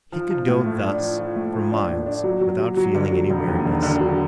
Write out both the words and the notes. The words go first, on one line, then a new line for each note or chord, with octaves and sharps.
He could go thus for miles without feeling any weariness.
F3
F3
A2
A3
D4
F3
F3
A3
F3
D4
A2
D4
F#3
F#3
F#3
F#3
D3
F#3
E1
D#2
E1
D3
F#3